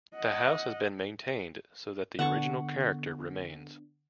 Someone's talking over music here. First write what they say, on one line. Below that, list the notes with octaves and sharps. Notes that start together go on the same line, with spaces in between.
The house has been maintained so that the original character remains.
D#5 F#5
D3 B3 D4 F#5 A5 C#6